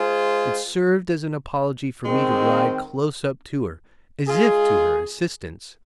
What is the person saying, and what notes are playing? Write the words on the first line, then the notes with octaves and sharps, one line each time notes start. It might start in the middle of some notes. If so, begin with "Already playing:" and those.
It served as an apology for me to ride close up to her, as if to her assistance.
Already playing: G#3 F4 G#4 C5
D#3 G#3 C4
G#3 F4 G#4